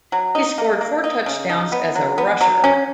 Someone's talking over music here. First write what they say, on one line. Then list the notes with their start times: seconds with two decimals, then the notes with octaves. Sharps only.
He scored four touchdowns as a rusher.
0.12 F#3
0.35 D#4
0.58 A#3
0.81 A#3
1.04 D#4
1.26 C#3
1.50 D#4
1.72 B3
1.95 F#3
2.18 B3
2.41 F#3
2.64 C#4